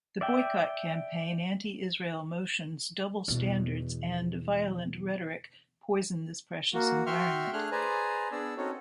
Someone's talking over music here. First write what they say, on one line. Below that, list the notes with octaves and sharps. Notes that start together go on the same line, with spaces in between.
The boycott campaign, anti-Israel motions, double standards and violent rhetoric poison this precious environment.
D5 E5 G5
E2 B2
A#3 F#4
F#4 E5 G5 C6 C#6 F6
A3 D4 G#4 F6 F#6
G#4 B4 C5 D5 G#5 A#5
B3 D4 G#4 D5 E6
C4 C#4 D#4 F#4 A4 C#5